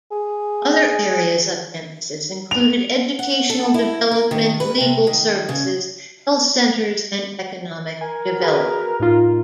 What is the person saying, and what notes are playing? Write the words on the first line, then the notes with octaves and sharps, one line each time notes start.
Other areas of emphasis included educational development, legal services, health centers, and economic development.
G#4
F7
F#5
A4
E4
A#4
D#3
B4
C3
D#3
C#3
A#4 G#5
F#4 G#4 B4
A2 D#4 F4